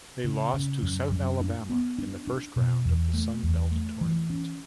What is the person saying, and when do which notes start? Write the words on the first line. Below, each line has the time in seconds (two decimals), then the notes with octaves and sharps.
They lost to South Alabama in the first round of the Sun Belt Tournament.
0.24 C#3
0.54 C#3
0.83 F#2
1.12 F#2
1.41 D4
1.70 B3
1.98 D4
2.27 D4
2.56 B2
2.85 E2
3.14 A3
3.43 E2
3.72 A3
4.01 E3
4.30 C#4